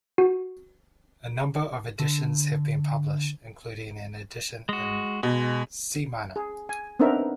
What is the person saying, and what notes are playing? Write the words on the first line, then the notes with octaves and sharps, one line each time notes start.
A number of editions have been published, including an edition in C minor.
F#4
D3
G#3 F#4
B2 G#3
G#4
G#5
B3 C4 D4 D#4 A#4 E5